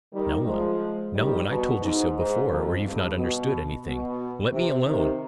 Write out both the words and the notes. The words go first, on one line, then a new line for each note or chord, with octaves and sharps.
"No one, no one, I told you so before, or you've not understood anything! Let me alone!"
D#3 G3
F3 G#3
D#3 G3
B2
G#2
G#2
F2
G2
B2
B2
C3
C3 D#3